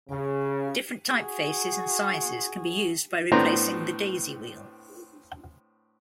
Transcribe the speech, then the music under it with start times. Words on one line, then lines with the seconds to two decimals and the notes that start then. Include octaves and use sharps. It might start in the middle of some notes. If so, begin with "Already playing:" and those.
Different typefaces and sizes can be used by replacing the daisy wheel.
0.10 C#3
1.13 F#4 G#4
3.32 A2 B3 C4 D4 A#5